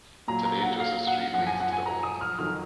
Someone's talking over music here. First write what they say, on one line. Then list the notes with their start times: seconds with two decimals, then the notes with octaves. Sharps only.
Today, Joseph Street leads to the old home.
0.28 A#2 F#3 A#5
0.45 A#5
0.63 F#5
0.80 F5
1.07 F#5
1.33 F#2 F3 F#5
1.47 G#5
1.60 F#5
1.73 G#5
1.86 A#5
2.03 D#6
2.21 F6
2.38 F2 D#3 F#3 F6